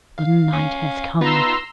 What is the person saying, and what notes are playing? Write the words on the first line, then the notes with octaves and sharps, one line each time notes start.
The night has come!
F5
C#4
B3 D#4 F4 B4 A#5 C6 E6